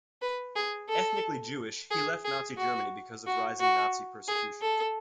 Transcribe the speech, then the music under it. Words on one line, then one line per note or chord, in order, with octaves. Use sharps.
Ethnically Jewish, he left Nazi Germany because of rising Nazi persecution.
B4
G#4
A4
G#4
G#4
F#4
F#4
F#4
G#4
A4